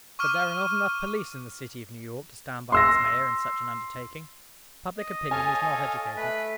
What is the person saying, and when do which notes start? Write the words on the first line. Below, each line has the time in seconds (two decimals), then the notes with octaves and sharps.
But there are not enough police in the city of New York to stand by its Mayor in such an undertaking; public opinion is not educated.
0.19 C#6 D6 F6 D#7
2.72 C6 E6 A#6
4.98 D#5
5.31 A4 C#5 F5 G#5
6.17 A3 B4